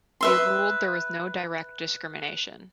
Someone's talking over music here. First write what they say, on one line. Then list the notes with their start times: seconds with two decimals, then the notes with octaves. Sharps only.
They ruled there was no direct discrimination.
0.21 B4 E5 C6